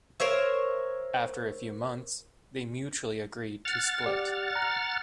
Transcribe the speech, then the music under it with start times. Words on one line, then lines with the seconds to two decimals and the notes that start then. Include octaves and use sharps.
After a few months, they mutually agreed to split.
0.20 A#4 C5 C#5 E5
3.65 F#5 F6 A6
4.06 G4 D5
4.56 A#5